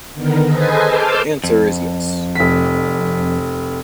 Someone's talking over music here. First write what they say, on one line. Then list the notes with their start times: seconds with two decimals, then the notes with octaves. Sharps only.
The answer is yes.
0.14 D3 D#3 B3 A#4
0.45 G#4 A4 B4 C5 D#5 G#5
0.86 A5 C6 D6 E6 F6 G6
1.44 F2
2.35 F1 B6